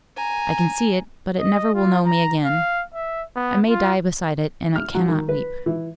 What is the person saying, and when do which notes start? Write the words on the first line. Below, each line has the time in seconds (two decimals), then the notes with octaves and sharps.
I can see it, but it never will know me again; I may die beside it, and it cannot weep.
0.16 G#5 A#5
1.39 D#5
1.74 F4
2.06 A#5
2.45 F5
2.94 E5
3.36 B3
3.68 F4
4.76 F6
4.94 F#3
5.09 D#3
5.29 B4
5.66 E3